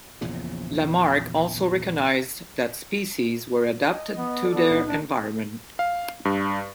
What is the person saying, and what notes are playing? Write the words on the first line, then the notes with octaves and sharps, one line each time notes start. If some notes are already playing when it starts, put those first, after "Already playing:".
Lamarck also recognized that species were adapted to their environment.
A#1 E2 A#2 C#3
D#5
B3
A4 D5
B3
C#2 A#2 D#4
D4
F5
G2